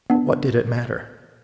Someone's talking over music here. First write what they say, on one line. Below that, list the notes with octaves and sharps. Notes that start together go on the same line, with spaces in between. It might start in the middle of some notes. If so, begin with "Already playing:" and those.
But what did it matter?
B3 D4